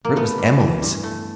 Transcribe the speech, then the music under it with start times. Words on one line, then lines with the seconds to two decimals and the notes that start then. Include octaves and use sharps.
For it was Emily's!
0.05 A#3
0.16 A3 B3
0.38 G2
0.60 E3
0.82 G2
1.03 A3